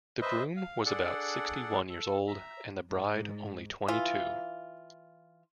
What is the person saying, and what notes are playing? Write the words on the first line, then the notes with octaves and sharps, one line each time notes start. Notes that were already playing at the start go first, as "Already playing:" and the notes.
The groom was about sixty-one years old and the bride only twenty-two.
B4 C5 D#5 E5
F5
D4 G#4 A4 D5 F#5
A4
E5 A#5
G#2
E3 F4